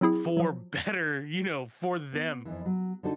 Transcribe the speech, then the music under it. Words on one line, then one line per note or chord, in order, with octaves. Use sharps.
for better, you know, for them.
F#3 C4 E4 G#4
F3 F#3
B3
F2 A2 D#3 E3
F#3
D3 D4 D#4 F#4 A4